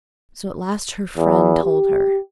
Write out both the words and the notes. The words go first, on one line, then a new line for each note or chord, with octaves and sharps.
So at last her friend told her.
E2
G4